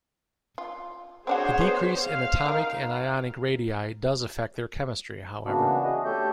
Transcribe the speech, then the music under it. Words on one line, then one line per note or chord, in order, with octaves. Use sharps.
The decrease in atomic and ionic radii does affect their chemistry, however.
F4
C4 D4 F#4 G#4 C5 C#5
B3
F5
D#4 A#4
C#3 E3 A#3 B3 D4 F#4
G#4 D#5
A3 G4 A4 C#5 E5 G6